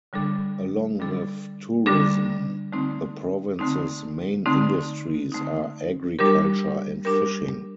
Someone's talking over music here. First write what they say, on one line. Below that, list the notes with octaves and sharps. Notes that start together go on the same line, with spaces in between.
Along with tourism, the province's main industries are agriculture and fishing.
D3 G3 D4 A4
D3 G3 D4 A4
D3 G3 D4 A4
D3 A3 C4 D#4
D3 A3 C4 D#4
D3 A3 C4 D#4
D3 A3 C4 D#4
G3 D4 G4 A#4
G3 D4 G4 A#4